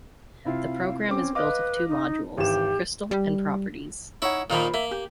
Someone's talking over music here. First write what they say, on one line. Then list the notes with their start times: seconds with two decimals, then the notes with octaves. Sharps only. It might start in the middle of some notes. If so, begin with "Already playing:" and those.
The program is built of two modules: "crystal" and "properties".
0.45 C3 E4 F4 F5
1.09 C4 C#4 D6
1.35 B4 D#5 F5 D6
1.88 D#4
2.38 G#1 E3 G4 E7
3.11 G3
4.22 D#4 E4 C#5 F#5
4.50 A#2 D#3 A#3 F4 C5 B5
4.74 A#3 E5
4.91 G4